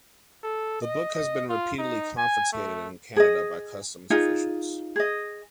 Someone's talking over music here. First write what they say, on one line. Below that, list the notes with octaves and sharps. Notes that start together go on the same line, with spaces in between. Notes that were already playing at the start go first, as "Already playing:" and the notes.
The book has been repeatedly confiscated in Canada by customs officials.
A4
D#5
D#5
F4
D#4
G#5
A3
G#4 D#5
D#4 F4 G#4
G#4 D#5